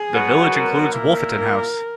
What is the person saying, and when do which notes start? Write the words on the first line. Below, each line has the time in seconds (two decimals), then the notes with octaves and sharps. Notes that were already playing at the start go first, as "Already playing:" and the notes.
The village includes Wolfeton House.
Already playing: G#4
0.12 B2 F#3 B3 F#4
0.51 A#4
0.91 A#2 A#3 E4